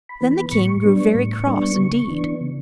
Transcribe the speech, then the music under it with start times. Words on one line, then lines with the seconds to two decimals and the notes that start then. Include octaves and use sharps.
Then the king grew very cross indeed.
0.09 B5
0.21 E3 B3
0.31 B5
0.52 A2 C#6
0.83 G3 B3 D4
1.15 A2
1.46 G3 B3 D4
1.78 C#3
2.10 E3 B3 D4
2.41 C#3